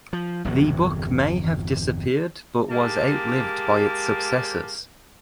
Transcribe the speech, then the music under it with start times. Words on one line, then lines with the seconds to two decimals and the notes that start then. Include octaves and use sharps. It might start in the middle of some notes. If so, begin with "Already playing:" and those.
The book may have disappeared but was outlived by its successors.
0.13 F3
0.45 G1 E2 C3 F#3
2.70 G#3 A#3 G4 A5